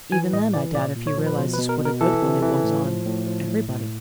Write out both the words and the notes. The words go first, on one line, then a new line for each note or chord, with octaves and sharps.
Even then I doubt if he realizes what a good one it was on--everybody.
E3 G#5
A2 D#5
E3 D5
A#2 D5
A#2
C#5
F3
B4
B2 C5
B4
B2
A#4
B2
A#4
E3 A4
C3
E3
A2
F3
A2
F3
A2
A2